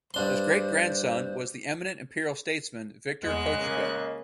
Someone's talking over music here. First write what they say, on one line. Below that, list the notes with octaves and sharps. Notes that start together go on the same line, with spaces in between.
His great-grandson was the eminent imperial statesman Viktor Kochubey.
G2 D4 C5 C6
E2 G#3 D#5 F#6
C#3 A#3